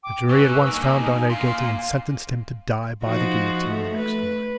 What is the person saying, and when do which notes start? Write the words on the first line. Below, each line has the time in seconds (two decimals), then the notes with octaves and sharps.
The jury at once found Darnay guilty and sentenced him to die by the guillotine the next morning.
0.03 G5 D6
0.29 G#2 B4 C#6 E6
0.66 G2 A#3 D#4 G#5
1.29 A#2 F5 C6
3.03 F3 D#4 F#4
3.68 A3
3.97 B4